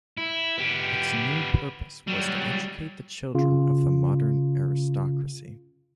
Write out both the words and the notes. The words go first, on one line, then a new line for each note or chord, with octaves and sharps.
Its new purpose was to educate the children of the modern aristocracy.
E4
B3 G4
F#3 G3
C#3 F4